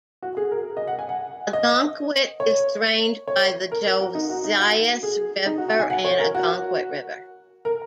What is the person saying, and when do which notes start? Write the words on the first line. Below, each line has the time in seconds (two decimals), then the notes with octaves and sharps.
Ogunquit is drained by the Josias River and Ogunquit River.
0.22 F#4
0.37 G#4
0.51 A#4
0.77 D#5
0.88 F#5
0.99 G#5
1.09 F#5
1.53 D#5
2.40 C#5
3.27 C#5
3.72 A#4
3.86 A#4
4.01 F#4
4.15 D#4
4.30 F#4
4.44 D#4
4.59 F#4
5.03 G#4
5.46 D#4
5.58 F#4
5.68 F#4
5.80 G#5
5.90 F#5
6.05 C#5
6.20 A#4
6.35 F#4
7.65 A#4